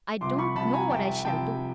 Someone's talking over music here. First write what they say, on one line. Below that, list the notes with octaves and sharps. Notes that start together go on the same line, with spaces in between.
I don't know what I shall do.
C2 C3 F3 C6 D6
B5 C#6
C2 C3 F3 A5 B5
G#5 A#5
C2 C3 F3 G5 A5
C3 F3 G5 A5